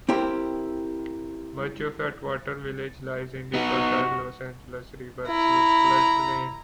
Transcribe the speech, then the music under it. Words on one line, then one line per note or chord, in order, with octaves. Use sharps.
Much of Atwater Village lies in the fertile Los Angeles River flood plain.
C4 E4 G4 A#4
B3 D#4 F#4
E4 A#5